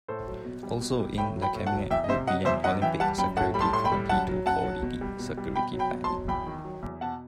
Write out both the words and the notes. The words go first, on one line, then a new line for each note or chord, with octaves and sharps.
Also in the Cabinet would be an Olympic Security Committee to co-ordinate security planning.
A2 A4 C5
F#3
B2
G3
B2
G3
A2 G5 B5
F#3
G5 B5
A2
F#5 A5
F#3
E2 E5 G5
D#5
C3 C5 E5
F#3 D#5 F#5
E2 C5 E5
F#2 D#5 F#5
E3 E5 G5
G3 F#5 A5
F#2 G5 B5
A2 F#5 A5
G3 B5
A5 C6
A2 C6
G5 B5
G3
F#2 F#5 A5
F#3
F#2 F#5 A5
F#3
B2
G3
B2
G3
B2 G5 B5
F#3
G5 B5
B2
A5 C6
F#3
E2 G5 B5
D#3
F#3
E2
B2 F#5 A5